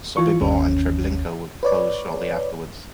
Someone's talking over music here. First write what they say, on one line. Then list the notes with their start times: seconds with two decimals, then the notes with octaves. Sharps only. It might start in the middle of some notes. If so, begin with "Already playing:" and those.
Sobibor and Treblinka were closed shortly afterwards.
0.17 E3 F4 C#6
0.41 G1 D#2 C#4
1.63 B4 C#5 D5